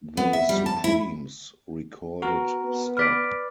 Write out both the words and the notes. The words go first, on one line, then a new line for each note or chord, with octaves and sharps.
The Supremes recorded Stop!
B3
E5
G3
A5
E4
B3 F#4 A#4
B3
B4 D5 F6 B6 D7